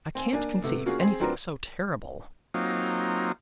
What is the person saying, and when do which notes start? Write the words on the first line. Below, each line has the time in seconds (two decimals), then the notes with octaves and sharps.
I can't conceive anything so terrible.
0.15 C4 G#5
0.32 A#3 D4 G#5
0.64 C3 A3 B3
0.86 A#3 C#4 F4 F#4 G#4
0.99 C4 G#4
1.20 F#3 C4 D4 F4 A#4 B4
2.54 F#3 A#3 C4 D#4 F4